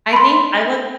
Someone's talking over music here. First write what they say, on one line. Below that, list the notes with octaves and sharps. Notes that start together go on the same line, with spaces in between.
I think I look
B5 C6